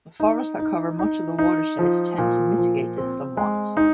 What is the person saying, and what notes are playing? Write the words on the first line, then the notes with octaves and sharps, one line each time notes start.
The forests that cover much of the watershed tend to mitigate this somewhat.
D#4
D#4
D#4
D#4
F3
A#2
F3
C4
G#3
D#4